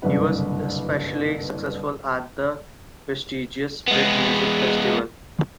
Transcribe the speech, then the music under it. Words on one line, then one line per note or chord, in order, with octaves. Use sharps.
He was especially successful at the prestigious Split Music Festival.
F#1 C2 G2 D3 B4
G#3 B3